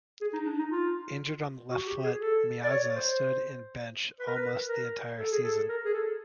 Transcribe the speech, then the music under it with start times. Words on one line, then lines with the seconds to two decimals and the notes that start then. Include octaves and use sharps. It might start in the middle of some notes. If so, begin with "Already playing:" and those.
Injured on the left foot Meazza stood in bench almost the entire season.
0.21 G#4
0.33 D#4
0.46 D4
0.59 D#4
0.71 F4
1.71 F#4
1.87 G4
2.04 G#4
2.20 A4
2.63 D5
2.70 C#5
2.95 C5
4.20 B4
4.27 A#4
4.36 B4
4.68 A#4
5.18 A4
5.31 G#4
5.44 A4
5.69 A#4
5.85 G#4
5.94 A4